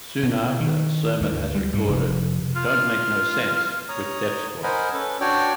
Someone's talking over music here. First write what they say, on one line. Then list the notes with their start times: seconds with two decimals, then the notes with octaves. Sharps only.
Soon after, Sermon has recorded "Don't Make No Sense" with Def Squad.
0.23 B2
0.60 D#3
1.21 D2
1.55 G3
1.74 G2
1.88 F1
2.56 F4
3.89 C#5 A#5 D#6
4.63 A#4 C5 D#5 F#5 G#5 B5
4.93 C#4 A4 B4
5.21 D4 F#4 C#5 D5 G5